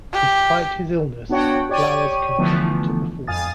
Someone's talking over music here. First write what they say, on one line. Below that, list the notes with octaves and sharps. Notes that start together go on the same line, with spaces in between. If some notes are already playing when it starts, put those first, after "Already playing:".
Despite his illness, Flowers continued to perform.
G4
B3 D4 F#4 C#5 F#5 G5
G4 C#5 D5 G5 C#6 D#7
D3 E3 F3 A3 B3
F2 F5 G#5 D#6 A6